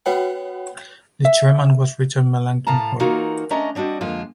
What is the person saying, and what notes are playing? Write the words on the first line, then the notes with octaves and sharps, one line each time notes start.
The Chairman was Richard Melancthon Hurd.
B3 F#4 C#5 F#5 G5
E5
A2 F5 A5 A#5
E3 A#3 D#4 F4 F#4 A#4
A3 C#4 D4 D#5 A#5
G3 C4 D4 F#4 D#5
F2 D3 G#3 A#3 F4